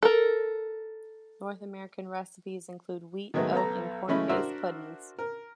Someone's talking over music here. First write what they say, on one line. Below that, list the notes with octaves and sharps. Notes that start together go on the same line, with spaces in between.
North American recipes include wheat, oat, and corn-based puddings.
A4 A#4
D#3 F#3 G#3 A3 B3
B1 B3 A4 A#5
C#3 E3 G#3 A3 C#4 B5
D4 F#4 A#4 C5 E5
A#4